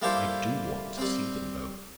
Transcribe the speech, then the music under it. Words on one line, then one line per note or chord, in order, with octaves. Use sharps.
"I do want to see them both."
G3 A#3 E4 G4 A4 C5
G3 C4